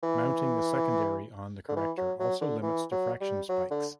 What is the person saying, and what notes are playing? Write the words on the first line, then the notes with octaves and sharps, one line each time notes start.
Mounting the secondary on the corrector also limits diffraction spikes.
E3
D3
E3
F#3
F#3
D3
E3
F#3
G3
F#3
D3